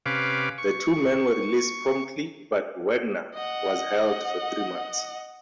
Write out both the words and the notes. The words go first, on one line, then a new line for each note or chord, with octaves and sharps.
The two men were released promptly but Wagner was held for three months.
C3 C#4 B4 F5 D6
C#6
D#5 F#5